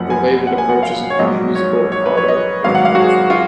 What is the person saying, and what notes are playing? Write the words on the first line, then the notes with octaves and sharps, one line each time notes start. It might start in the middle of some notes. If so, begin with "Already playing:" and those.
Related approaches include musical autoethnography.
Already playing: F#1 F#2 F3 F#5
G#5
F#5
G#5
F#5
F5
C#5
A#1 G#2 F#3 D#5
C#5
C#5
B4
C#5
D#5
G#1 G#2 F#3 F5
F#5
F5
F#4
G#4
F4